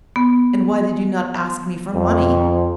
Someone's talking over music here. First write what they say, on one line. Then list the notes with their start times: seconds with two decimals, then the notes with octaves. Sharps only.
"And why did you not ask me for money?"
0.16 B3
1.94 F2